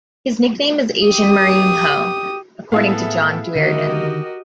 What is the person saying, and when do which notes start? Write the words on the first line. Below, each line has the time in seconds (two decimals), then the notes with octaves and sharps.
His nickname is 'Asian Mourinho' according to John Duerden.
1.07 G4 D#6
2.72 A2 B3 E4 G#4 A4 F5
3.55 D3 D#3 F#4 G4 A#4 D#5